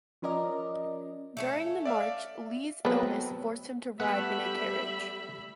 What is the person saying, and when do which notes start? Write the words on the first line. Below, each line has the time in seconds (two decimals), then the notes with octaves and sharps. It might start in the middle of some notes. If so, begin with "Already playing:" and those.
During the march, Lee's illness forced him to ride in a carriage.
0.22 F3 C#4 A#4 D5 D#5
1.37 A3 C#4
1.85 D5 E5 F5
2.85 F#3 A3 B3 C4 B4
4.00 G3 A3 B3 E5 F#5 B5